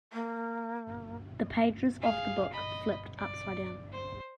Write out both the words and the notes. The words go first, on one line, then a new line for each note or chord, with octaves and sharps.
The pages of the book flipped upside down.
A#3
G#4 F5
D#5 B5
D5
C5